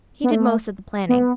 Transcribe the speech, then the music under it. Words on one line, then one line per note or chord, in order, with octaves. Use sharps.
He did most of the planning.
B3
A3
B3